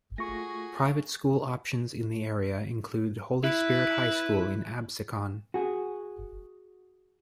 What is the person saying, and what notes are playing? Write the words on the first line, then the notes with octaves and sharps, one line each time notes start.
Private school options in the area include Holy Spirit High School in Absecon.
A3 F4 F#4 G#4 C#6 A#6
E4 B4
F#4 G#4